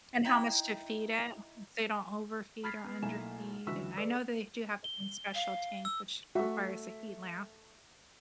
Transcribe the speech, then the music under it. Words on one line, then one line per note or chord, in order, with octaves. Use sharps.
And how much to feed it, so you don't overfeed or underfeed, and I know they do have their own special tank, which requires a heat lamp.
D#4 E4 G5
B5 F6 G#6 A6 B6 C7
B3
B1 A3 A#3 E4 G#5 E7
C#2 D3 E3 F#4 E6 B6
G#4 A4 B4 D5 E6
G7
F5
E6
A3 F#4 E5